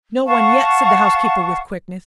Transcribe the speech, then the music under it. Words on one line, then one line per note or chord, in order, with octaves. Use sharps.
"No one yet," said the housekeeper, with quickness.
F5 F#5 A5 C#6